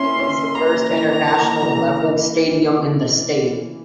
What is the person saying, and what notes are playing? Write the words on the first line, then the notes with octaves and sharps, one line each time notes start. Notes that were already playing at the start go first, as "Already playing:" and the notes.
It is the first international level stadium in the state.
Already playing: A#3 C#4 E4 C6
C#4
A#3 A#5
E3
A#3
E3